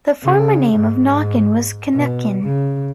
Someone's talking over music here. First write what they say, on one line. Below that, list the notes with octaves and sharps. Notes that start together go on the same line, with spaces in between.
The former name of Knockin was Cnukyn.
C#3
G#2
B2
C#3